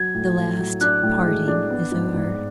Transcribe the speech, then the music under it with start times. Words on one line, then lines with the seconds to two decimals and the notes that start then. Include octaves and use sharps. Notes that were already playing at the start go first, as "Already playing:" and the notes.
The last parting is over.
Already playing: F#3 G#6
0.14 A2
0.37 A2
0.59 F#3
0.81 D4 F#6
1.03 A2
1.25 G#3
1.48 D4
1.70 B3
1.92 G#2
2.14 G#2